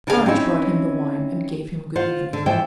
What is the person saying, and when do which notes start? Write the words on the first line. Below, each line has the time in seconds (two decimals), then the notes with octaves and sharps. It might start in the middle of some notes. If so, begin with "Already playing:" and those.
Defarge brought him the wine, and gave him Good Evening.
0.07 C#3 D4 G4 G#4 B4 F5
0.26 C4 C#4 D#4 E4
1.96 F4 C5 F5 F#5
2.33 D3
2.46 E3 F3 C5 E5 G5